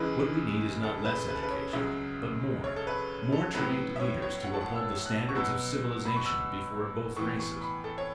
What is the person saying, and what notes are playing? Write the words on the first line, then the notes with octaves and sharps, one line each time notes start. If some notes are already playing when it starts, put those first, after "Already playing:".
What we need is not less education, but more; more trained leaders to uphold the standards of civilization before both races.
Already playing: C#2 C#3 E3 B4
A4
B4
B4
A4
B4
C#5
C#2 C#3 F#3 E5
C#5
A4
B4
A4
A2 F#3 B3 B4
E5
C#5
C#5
F#5
A5
F#5
E6
F#6
C#6
B2 F#3 B3 E6
B5
C#6
E6
A2 E3 B3 C#6
C#6
B5
A4
C#5